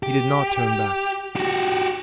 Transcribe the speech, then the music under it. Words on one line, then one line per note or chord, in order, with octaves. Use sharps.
He did not turn back.
G4
F#4 G4